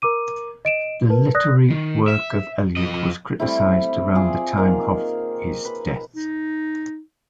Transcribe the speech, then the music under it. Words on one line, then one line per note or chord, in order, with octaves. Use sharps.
The literary work of Elliot was criticised around the time of his death.
A#4 A#5 D6 D#7
D#5 D7 E7
A#4 B4 A5
D5 D#6 F#6 A#6
D#3
E5
F2 D#5
G3 A3 C4 E4
F4 G#4 D5
D#3 A#3
B4
D#4